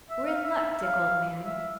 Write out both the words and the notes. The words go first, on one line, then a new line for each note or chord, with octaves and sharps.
We're in luck, Dick, old man.'
E5
F5
E5
E5
E5
F5
E5